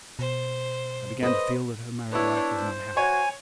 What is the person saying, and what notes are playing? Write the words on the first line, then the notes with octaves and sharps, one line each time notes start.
I began to feel that her married life was not happy.
B2 C5
B4 C5 D#5
B3 D4 E4 C#5
C5
F#4 C#5 G#5